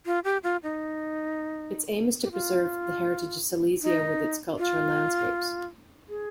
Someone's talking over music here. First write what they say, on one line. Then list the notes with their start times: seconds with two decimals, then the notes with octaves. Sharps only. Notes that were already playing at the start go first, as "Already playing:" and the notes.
Its aim is to preserve the heritage of Silesia with its culture and landscapes.
0.06 F4
0.24 G4
0.44 F4
0.63 D#4
2.23 G4
2.32 F4
3.82 D#4
4.59 F4
6.09 G#4